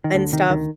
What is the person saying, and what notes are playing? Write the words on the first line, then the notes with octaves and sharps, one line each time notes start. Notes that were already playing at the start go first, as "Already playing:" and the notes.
and stuff,
D#3
D2 D3
C3 D#3
D2 D#3